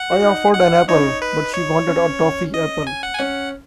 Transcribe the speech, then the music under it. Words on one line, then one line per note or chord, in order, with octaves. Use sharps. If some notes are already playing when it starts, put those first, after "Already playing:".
I offered an apple, but she wanted a toffee apple.
Already playing: F#5
F#4
D#4
F#5
D#4 C#5
C#4
D#4
B4
C#5
C#4
D#5
G#5
F#5
G#5
C#4 F#5